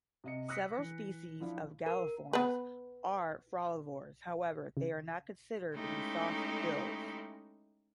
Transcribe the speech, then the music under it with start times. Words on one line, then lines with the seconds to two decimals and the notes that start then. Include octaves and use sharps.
Several species of Galliformes are frolivores, however they are not considered to be softbills.
0.24 C3 D#5 C#7
0.48 D#6 E6 F#6 A#6 B6 C#7
0.78 E3
1.40 F3 D4 E4 F5
1.86 A#4
2.33 B3 B4
4.77 C#3
5.74 G#3 A3 C#4 D#4 E4 G4